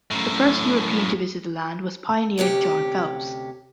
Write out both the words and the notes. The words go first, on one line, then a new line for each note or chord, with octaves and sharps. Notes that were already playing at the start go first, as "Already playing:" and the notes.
The first European to visit the land was pioneer John Phelps.
F#2 A2
D2 C3 C#4 G4